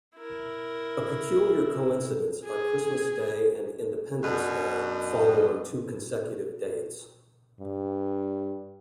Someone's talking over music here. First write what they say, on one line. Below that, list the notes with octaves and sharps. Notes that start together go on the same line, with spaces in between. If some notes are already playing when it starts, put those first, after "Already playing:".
A peculiar coincidence are Christmas Day and Independence Day, falling on two consecutive dates.
E4 A#4
G#4
F#2 B2 D4 D#5
G2